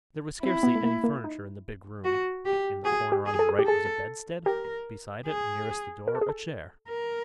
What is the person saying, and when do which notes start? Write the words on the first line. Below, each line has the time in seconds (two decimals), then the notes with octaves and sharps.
There was scarcely any furniture in the big room: in the corner on the right was a bedstead, beside it, nearest the door, a chair.
0.43 C4 E4
0.63 B3
0.75 A3
0.83 A#3
1.04 A#3
1.24 D#4
2.04 F#4
2.45 G4
2.85 F#4 G#4
3.12 G4
3.26 G#4
3.39 A4
3.49 G#4
3.59 G4
3.66 G#4 A4
4.46 G4 A#4
5.27 G#4
6.08 A#4
6.15 A4
6.21 G#4
6.29 A4
6.88 A#4